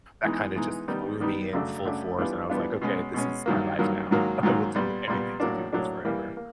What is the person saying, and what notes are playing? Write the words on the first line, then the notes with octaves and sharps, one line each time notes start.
that kinda just threw me in full force, and I was like, "Okay, this is my life now. I will do anything to do this forever."
E3 G#3 B3 D#4
E3 G#3 B3 D#4
D#3 G3 B3 D#4
D#3 G3 B3 D#4
F#2 C#3 F#3 A3 D4
F#2 C#3 F#3 A3 D4
E3 G3 B3 D4 F4
E3 G3 B3 D4 F4
B2 G#3 C#4
B2 G#3 C#4
G2 D#3 F#3 A#3
G2 D#3 F#3 A#3
G#2 D#3 F#3 A#3
G#2 D#3 F#3 A#3
A#2 G3 B3
A#2 G3 B3
A2 F#3 A#3 D4
A2 F#3 A#3 D4
E3 G3 A#3
A#3